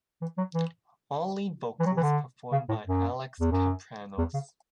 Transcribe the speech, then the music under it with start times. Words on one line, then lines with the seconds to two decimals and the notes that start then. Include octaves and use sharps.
All lead vocals performed by Alex Kapranos.
0.22 E3
0.37 F#3
0.54 E3
1.80 E3
1.86 F#3
1.97 E3
2.02 D3
2.52 C#3
2.69 A2
2.86 F#2
3.40 E2
3.52 F#2
4.18 E2
4.34 C#3